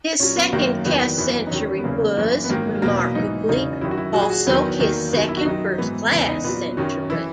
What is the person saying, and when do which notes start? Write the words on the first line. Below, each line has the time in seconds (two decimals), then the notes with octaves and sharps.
This second Test century was, remarkably, also his second first-class century.
0.20 A#2 F#3 C#4
0.36 B3
0.53 F#2 D#3 F#3 A#3
0.85 E2 D#3 F#3 B3
1.18 F#2 E3 B3
1.47 D#4
1.51 E2 D#3 F#3 C#4
1.78 B3
1.84 E2 C#3 F#3 A#3
2.17 F#2 E3 A#3
2.44 B3
2.50 G#2 D#3 F#3 A#3
2.82 E2 B2 F#3 A#3
2.99 B3
3.15 G#2 E3 D#4
3.48 E2 C#3 F#3 D#4
3.81 F#2 D#3 F#3 E4
3.91 F#4
3.98 E4
4.14 A#2 F#3 F#4
4.22 G#4
4.30 F#4
4.47 E2 D#3 F#3 B3
4.80 E2 D#3 F#3 A#3
5.13 F#2 D#3 F#3 B3
5.29 E4
5.37 F#4
5.45 F#2 D#3 F#3 D#4
5.78 G#2 E3 B3
6.12 E2 C#3 E3 B3
6.28 D#4
6.44 A#2 F#3 B3
6.77 F#2 D#3 F#3 C#4
7.10 E3 E4